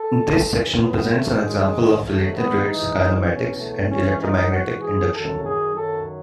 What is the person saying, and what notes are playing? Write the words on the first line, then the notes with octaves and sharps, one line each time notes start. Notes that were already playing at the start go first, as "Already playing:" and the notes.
This section presents an example of related rates kinematics and electromagnetic induction.
Already playing: A4
F#2 C#3 E3
G#2 F#3 B3
A3
F#2 D#3 F#3 G#3
G#2 D#3 F#3 A3
B3
G#2 E3 D#4
E2 B2 F#3 C#4
A3
G#2 E3 C#4
D#4
G#2 E3 F#4
G#4
F#2 D#3 F#3 A4
G#4
F#2 D#3 F#3 A4